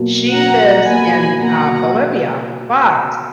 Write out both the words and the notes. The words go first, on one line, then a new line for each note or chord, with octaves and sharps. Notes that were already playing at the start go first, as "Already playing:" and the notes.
she lives in, uh, Bolivia, but,
Already playing: B2 F#3 A#3
B2 F#3 A#3 F#5 A#5
B2 F#3 A#3 G#5 B5
B2 F#3 A#3 F#5 A#5